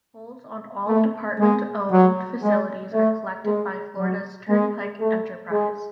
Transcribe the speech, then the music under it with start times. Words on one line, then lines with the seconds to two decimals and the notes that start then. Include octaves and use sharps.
Tolls on all Department-owned facilities are collected by Florida's Turnpike Enterprise.
0.87 A3
1.39 G#3
1.90 F#3
2.42 G#3
2.93 A3
3.45 G#3
3.97 F#3
4.49 G#3
5.00 A3
5.51 G#3